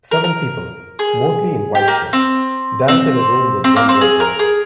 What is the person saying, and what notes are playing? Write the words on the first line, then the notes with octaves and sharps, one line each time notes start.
Seven people, mostly in white shirts, dance in a room with one red wall.
A#4
A#4
G#4
G4
A#3
C4
C4
C4
A#3
C4
G#4
A#4
G#4